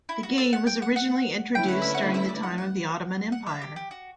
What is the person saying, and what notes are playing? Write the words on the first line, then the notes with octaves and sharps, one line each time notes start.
The game was originally introduced during the time of the Ottoman Empire.
E4
F#4
A4
F#5
G5
F#5
F#5
D3 A3 C#4 E4 B4 G5
F#5
E5
F#5
E5
D5
F#5
F#5
F#5
E5
G4
G4
F#4